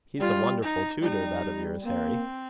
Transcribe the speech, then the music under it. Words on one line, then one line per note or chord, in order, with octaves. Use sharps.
"He's a wonderful tutor, that of yours, Harry!"
G3 F4
D#4
G3 D#4
G3
A#3 C4